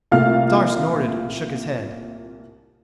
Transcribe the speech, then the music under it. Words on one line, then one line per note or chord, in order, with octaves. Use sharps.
Star snorted and shook his head.
C2 A#2 A3 F4 F5 F6